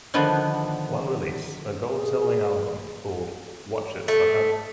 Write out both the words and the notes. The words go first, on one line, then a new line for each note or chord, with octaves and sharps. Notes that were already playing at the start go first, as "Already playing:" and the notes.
One release, a gold-selling album called Watch It, Sucker!
D3 D#3 F3 B3 D4
G#4
A3